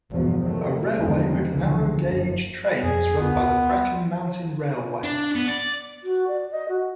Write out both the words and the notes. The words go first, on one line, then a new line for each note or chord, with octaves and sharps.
A railway with narrow gauge trains run by the Brecon Mountain Railway.
G#1 E2 G2 B2 F3
C3 D#3 F#3 A3
E2 D3 D#3 F3 G#3
C#2 B2 D3 E3 F3
F#1 F#2
F2 G#4
D2 B3 F4 A#4
C6
D4
B3
D5
F#4
D5
D#5
F#4